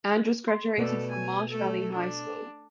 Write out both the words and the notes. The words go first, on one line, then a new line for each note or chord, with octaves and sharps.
Andrus graduated from Marsh Valley High School.
C6
B2 A3 A4 B4 D5
G#5
A3 A4
D4